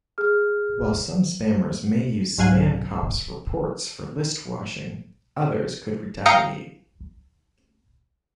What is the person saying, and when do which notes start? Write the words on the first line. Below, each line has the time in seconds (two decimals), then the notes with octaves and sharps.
While some spammers may use SpamCop's reports for listwashing, others could retaliate.
0.18 G#4 F6
2.38 C2 G#2 F#3 F5 G#5 F#6
6.26 F5 G5 A#5 D#6 F6 C#7